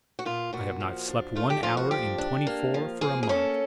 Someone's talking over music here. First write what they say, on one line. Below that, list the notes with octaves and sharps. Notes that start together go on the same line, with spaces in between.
I have not slept one hour in twenty-four for a month.
F#4
A#2 F4
A#2 F#4
F3
D4
A3 F4
G4
F3 F4
F#4
D4 G4
D4
A#3
F3
A#3 G#4
G#4
C#4 A4